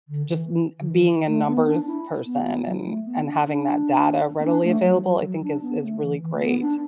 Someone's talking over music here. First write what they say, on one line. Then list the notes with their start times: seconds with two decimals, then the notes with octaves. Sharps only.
just n being a numbers person and and having that data readily available, I think, is is really great.
0.08 D3
0.28 E3
0.79 D3
0.87 E3
1.27 A3
1.47 B3
1.67 D4
1.87 E4
2.26 B3
2.46 B3
2.65 F#3
2.85 A3
3.05 B3
3.24 D4
3.45 D4
4.39 B3
4.44 D4
4.64 A3
4.83 F#3
5.03 F#3
5.23 F#3
5.43 D4
5.62 B3
5.82 A3
6.02 E3
6.22 E3
6.34 A3
6.41 B3
6.61 D4